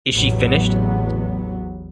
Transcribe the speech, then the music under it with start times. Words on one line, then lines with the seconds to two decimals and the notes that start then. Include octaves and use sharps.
Is she finished?
0.13 A1 E2 C3 F#3 B3